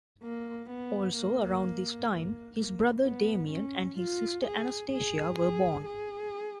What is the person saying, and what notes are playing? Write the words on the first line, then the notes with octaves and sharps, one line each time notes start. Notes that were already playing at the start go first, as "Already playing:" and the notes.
Also around this time his brother Damian and his sister Anastasia were born.
A#3
B3
A#3
A#3
A#3
B3
C#4
F4
G#4
G#4
G#4
G#4